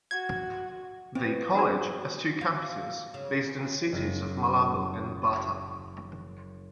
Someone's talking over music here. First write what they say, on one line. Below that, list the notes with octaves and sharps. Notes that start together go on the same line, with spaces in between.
The college has two campuses, based in the cities of Malabo and Bata.
F#4 G#6
B2 F3 C4
D#4 G#4 C5
F4
C#3
G5 G#5 C6
F#1 A#6